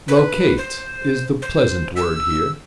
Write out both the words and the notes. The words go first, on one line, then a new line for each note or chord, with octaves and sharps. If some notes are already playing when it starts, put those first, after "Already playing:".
"Locate" is the pleasant word here.
B4
C5
C5
E6